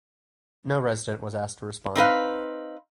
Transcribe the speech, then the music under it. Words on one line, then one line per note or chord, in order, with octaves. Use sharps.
No resident was asked to respond.
C4 D#4 B4 F5